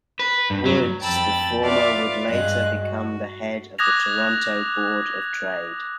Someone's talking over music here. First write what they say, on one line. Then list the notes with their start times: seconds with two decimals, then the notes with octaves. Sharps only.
Woods, the former would later become the head of the Toronto Board of Trade.
0.19 B4
0.50 G2
0.65 F#3
1.01 F2 G5 A5 B5 E6 A6
1.61 F4 B4 D5 E5 F5 D6
2.28 G2 G#3 F#6
2.80 F#4
3.78 D6 D#6 F#6 G#6 A#6 F7